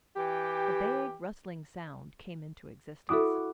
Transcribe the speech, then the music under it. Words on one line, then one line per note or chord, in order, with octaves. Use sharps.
A vague rustling sound came into existence.
E3 G4
E4 F#4 A4 D6 D#6